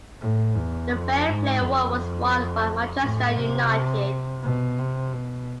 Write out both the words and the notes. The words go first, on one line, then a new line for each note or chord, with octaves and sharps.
The Fair Play Award was won by Manchester United.
A2
E2
F2
G#2
F2
A2
C3
B2
C3
B2